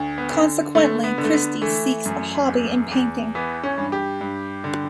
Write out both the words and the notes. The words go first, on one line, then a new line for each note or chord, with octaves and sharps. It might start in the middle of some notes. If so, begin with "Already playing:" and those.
Consequently, Christy seeks a hobby in painting.
Already playing: D2
B3
D3
D3 A3
B3
D3
A3
B3
E3 A3
F#2
E2
E2
E3 B3
C#4
G2
G4
G2
D3